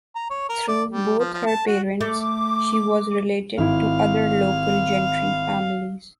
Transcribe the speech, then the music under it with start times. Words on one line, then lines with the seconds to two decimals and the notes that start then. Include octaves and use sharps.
Through both her parents she was related to other local gentry families.
0.15 A#5
0.30 C#5
0.49 A#4
0.68 D5
0.91 G3
1.19 F3
1.33 F3
1.46 A5
1.67 F#4
2.01 A3 D6
3.58 G#1 E4 F5